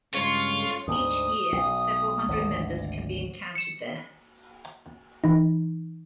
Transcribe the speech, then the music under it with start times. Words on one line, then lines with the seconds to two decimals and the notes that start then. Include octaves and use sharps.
Each year, several hundred members can be encountered there.
0.14 G2 C#3 G#3 F4 C#5 C6 C#6
0.88 D2 G#2 D#6
1.52 B1
2.28 G#1 D2 D3
3.55 C#7 E7
5.24 E3 D#4